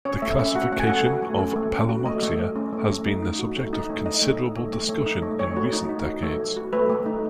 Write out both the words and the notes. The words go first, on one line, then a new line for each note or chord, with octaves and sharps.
The classification of "Pelomyxa" has been the subject of considerable discussion, in recent decades.
C#4 C#5
A3 E5
C#4 E5
F#4 F#5
A3 F#5
G#5
A3 F#5
F#4
A3
C#4
A3
A3
F#4
A3 D#5
A3
A3
C#4
A3
A3
D#4
D#4
F#4
A3
D#4
A3
D#4 D#5
A3
D#4
A3
A3
A3
D#4
A3
A3 C#5
F#4
D#4
D#4
F#4
A3
A3
F#4
A3 B4
A3
D#4